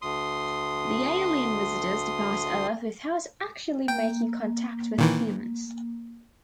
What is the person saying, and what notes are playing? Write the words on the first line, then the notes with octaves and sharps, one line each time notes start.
The alien visitors depart Earth without actually making contact with humans.
D2 C6 D#6
A#3 G5
A#2 D#3 E3